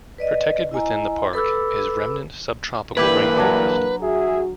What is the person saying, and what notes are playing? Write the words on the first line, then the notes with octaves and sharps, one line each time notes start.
Protected within the park is remnant subtropical rainforest.
B4 D5 D#5
E4 D#5 G#5 A#5
A4 B4 B5 D6 E6
G2 D3 E3 A#3 E4 G4 B4
F#3 D4
F#4 G#4 E5